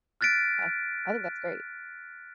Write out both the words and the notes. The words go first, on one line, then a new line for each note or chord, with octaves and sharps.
Uh I think that's great.
F6 F#6 A6 B6 D7